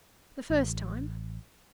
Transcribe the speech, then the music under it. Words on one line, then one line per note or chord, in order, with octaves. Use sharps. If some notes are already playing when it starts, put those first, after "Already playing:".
"The first time?"
A1